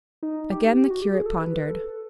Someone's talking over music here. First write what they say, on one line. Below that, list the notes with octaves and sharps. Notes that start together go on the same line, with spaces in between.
Again the curate pondered.
D#4
G4
F#4
G4
G#4
A4
B4
A4